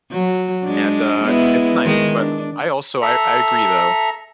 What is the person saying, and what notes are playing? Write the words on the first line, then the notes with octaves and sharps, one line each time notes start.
And, uh, it's nice. But I also I I agree, though.
F#3
G#3 D4
G#3 B3 E4
D#3 G#3
D4
A4 E5 A#5